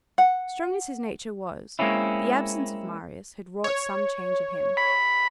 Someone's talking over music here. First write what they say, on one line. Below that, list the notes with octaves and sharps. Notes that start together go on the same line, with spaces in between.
Strong as his nature was, the absence of Marius had wrought some change in him.
F#5
G#3 A#3 C4 C#4 E4
C#5
B5